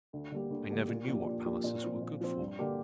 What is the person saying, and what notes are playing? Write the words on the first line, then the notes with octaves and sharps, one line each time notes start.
I never knew what palaces were good for.
D2
D3 G3 A#3 G4
D2
D3 G3 A#3 G4
A#2
F3 A#3 D4 G4
A#2
F3 A#3 D4 G4
A#2
F3 C4
A#2
F3 C4
G2
D3 A#3 G4